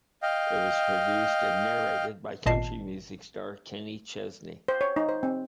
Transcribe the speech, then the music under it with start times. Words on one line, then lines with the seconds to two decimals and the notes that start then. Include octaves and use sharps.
It was produced and narrated by country music star Kenny Chesney.
0.22 D#5 F5 G5
2.46 G#1 A#2 D#5 A5 C7
4.68 C5
4.81 C#5
4.96 D#4
5.09 C5
5.23 C4